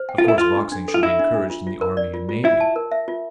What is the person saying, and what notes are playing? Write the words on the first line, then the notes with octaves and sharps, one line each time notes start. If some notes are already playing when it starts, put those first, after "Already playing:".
Of course boxing should be encouraged in the army and navy.
Already playing: C5
G5
F4
E4 A4
F4 C6
D4
D4
A4
F4
E4 E5
D4
D4
F4
F4
A#4
D5
F4
F4
E4 F4
A5
A#4
E5
F4